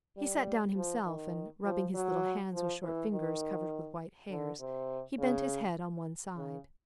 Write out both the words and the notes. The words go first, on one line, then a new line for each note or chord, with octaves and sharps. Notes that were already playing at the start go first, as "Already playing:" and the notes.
He sat down himself, and, rubbing his little hands with short fingers covered with white hairs, he bent his head on one side.
G3
F3
D#3
F3
F#3
F3
E3
D#3
D3
C3
C#3
C#3